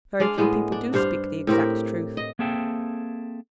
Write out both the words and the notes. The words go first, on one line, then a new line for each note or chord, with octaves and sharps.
'Very few people do speak the exact truth.
G#3 D4 D5 F5
A2 G#3 B3
D4
G2 D4 C5 F5
A2 C4 G4 A#4
D#5
A#3 C4 G#4 A4 E5 G5